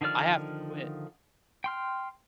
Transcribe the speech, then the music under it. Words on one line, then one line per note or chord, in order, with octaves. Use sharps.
I have to quit.”
D3 D#3 F3 D5 F6
G5 C6 F6